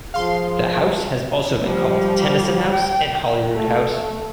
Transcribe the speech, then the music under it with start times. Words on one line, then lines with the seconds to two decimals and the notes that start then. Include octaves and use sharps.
The house has also been called Tennyson House and Holyrood House.
0.14 F3 G#4 F5 C6
1.65 F3 G3
2.72 G5
3.54 A3